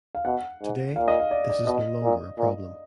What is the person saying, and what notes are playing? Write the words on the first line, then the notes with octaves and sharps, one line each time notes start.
Today, this is no longer a problem.
F5
B2 F#5
G#2
A#2 F5
D#5
F5
D5
D5
B2 D#5
A#2
A#2